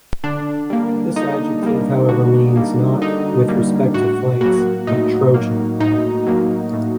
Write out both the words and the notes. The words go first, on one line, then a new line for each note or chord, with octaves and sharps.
This adjective however means not "with respect to the flanks", but "Trojan".
D3 D4
G3 A#3
D3 D#4
G3 A#3
D3 F#4
G3 A#3
D3 D#4
G3 A#3
A2 F#4
F#3 A#3 F#4
A2 D#4
F#3 A#3
A2 D#4
F#3 A#3
A2